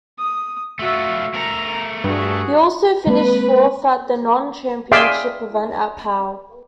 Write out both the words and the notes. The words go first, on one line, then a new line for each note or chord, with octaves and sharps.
He also finished fourth at a non-championship event at Pau.
D#6
A3 F4 F#4 E5
A3 A#4 A#5
G2 F#4 G#4
G#3 A#3 C4 B4
G#4 D5 E5 F5 G5 C6